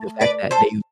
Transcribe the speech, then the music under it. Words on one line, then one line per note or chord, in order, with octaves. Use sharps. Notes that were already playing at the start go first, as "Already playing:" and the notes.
the fact that they
Already playing: A3
B4 D5
A4 C5